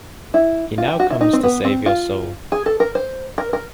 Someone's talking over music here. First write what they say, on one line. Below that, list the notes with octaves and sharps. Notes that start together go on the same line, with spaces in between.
He now comes to save your soul.
E4
F4
G4
F#4
E4
D#4
C4
B3
C4
F4
G#4
A4
A#4
C5
A#4
A#4